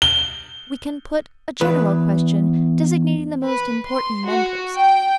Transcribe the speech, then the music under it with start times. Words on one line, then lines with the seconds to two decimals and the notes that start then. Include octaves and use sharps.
We can put a general question, designating the most important members.
0.02 G7
1.61 E2 B4
3.47 B4
3.88 C6
4.27 F#4
4.76 G5